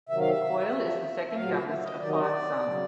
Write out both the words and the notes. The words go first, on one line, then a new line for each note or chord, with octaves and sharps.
Coyle is the second youngest of five sons.
C3 D#3 F#3 E5
F5
E5
C3 F3
E5
A#2 F#3 F5
E5
E5
E5
D#5
C3 D#3 F#3 D5
D#5
D5
C#3 F#3